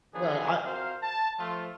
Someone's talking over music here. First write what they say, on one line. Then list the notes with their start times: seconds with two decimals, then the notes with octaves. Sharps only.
yeah, I
0.14 D#3 F3 F#3 B3 D4 G#4
0.64 C4 F#4 A#4 C5 F5
1.02 A5
1.39 F3 A3 F4